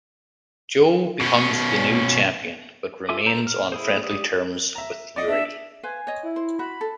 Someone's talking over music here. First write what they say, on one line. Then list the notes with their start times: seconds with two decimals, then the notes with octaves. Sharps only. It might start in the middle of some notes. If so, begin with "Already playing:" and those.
Joe becomes the new champion but remains on friendly terms with Yuri.
1.21 B2 C#4
3.09 F4 A4 E5 G#5 D6
3.26 A4 C5 A#5
3.47 F6
3.72 E4 G#4 C5
4.03 G4 D5 D#6
4.75 E5 A#5
5.16 D5 D#5
5.28 D4 E5
5.83 B4 C5 F5 G#5
6.07 C#5 D#5
6.23 E4
6.36 C5
6.59 F#4 B5
6.81 A4